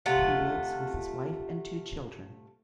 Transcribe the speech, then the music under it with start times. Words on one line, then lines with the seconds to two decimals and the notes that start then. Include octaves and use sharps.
He lives with his wife and two children.
0.06 C3 A3 F4 F#5